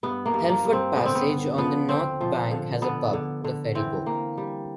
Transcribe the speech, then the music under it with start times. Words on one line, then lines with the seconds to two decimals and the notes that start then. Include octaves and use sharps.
Helford Passage, on the North bank, has a pub, The Ferryboat.
0.03 G2 B3
0.26 A#3
0.34 G2
0.49 A#3
0.65 G2
0.73 C4
0.96 D3 B3
1.06 C4
1.15 B3
1.27 D3
1.58 F3 B3
1.89 D3 C4
2.21 F3
2.51 D3
2.82 D3 B3
3.13 D3
3.44 D3
3.75 E3 C4
4.06 A#3
4.37 G3